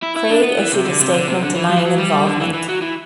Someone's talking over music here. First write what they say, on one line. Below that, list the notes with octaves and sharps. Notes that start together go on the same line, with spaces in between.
Craig issued a statement denying involvement.
E4
E4
D4
B3
E3
C3
D3
C3
D3
C3
D3
E3
F#3
E3
F#3
G3
D3
E3
E3
F#3
E3